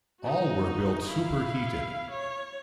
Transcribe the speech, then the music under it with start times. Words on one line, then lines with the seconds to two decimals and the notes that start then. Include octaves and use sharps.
All were built superheated.
0.21 D#4 F#4
1.10 E4 F5
2.11 C#5